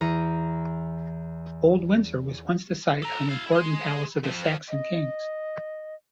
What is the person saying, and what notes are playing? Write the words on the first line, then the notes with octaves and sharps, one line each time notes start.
Old Windsor was once the site of an important palace of the Saxon Kings.
E2 A#5 C#7 D#7
A4 A#5
E4 F5
G#4 C6
F2 F3
D#5